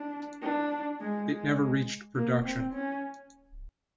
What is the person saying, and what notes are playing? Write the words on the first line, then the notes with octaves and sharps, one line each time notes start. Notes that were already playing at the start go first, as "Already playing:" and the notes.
It never reached production.
Already playing: D4
D4
G#3
G#3
A#3
C4
C#4